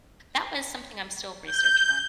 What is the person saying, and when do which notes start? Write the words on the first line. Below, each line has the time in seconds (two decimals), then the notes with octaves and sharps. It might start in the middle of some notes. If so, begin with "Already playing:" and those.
that was something I'm still researching on.
1.45 G6